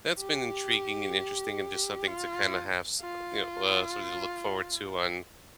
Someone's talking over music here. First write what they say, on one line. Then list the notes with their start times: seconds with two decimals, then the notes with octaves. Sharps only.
that's been intriguing, and interesting, and just something to kinda have s you know, uh, something to look forward to on
0.20 G4
2.07 F4
3.01 F4